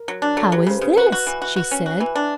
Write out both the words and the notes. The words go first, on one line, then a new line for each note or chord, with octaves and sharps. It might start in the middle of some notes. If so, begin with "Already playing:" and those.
"How is this?" she said.
Already playing: A#4
F#3
D4
F#3 A4
F#3 G4
C#3 C5
C#3 B4
F#4 B4
F#4
E3
F#4
F#4
C#4
F#4
E3
D4